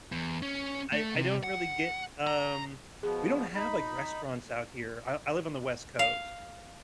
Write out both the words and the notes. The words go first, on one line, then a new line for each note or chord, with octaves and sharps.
I I don't really get, um we don't have, like, restaurants out here. I I live on the West Coast.
E2
C#4
A3
C3
F#5
A#5
B2 F3 B3 G#4
D#4 B5
F5